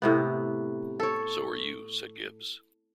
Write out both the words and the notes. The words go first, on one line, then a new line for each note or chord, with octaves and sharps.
"So are you," said Gibbs.
A2 C3 B3
A4 C#5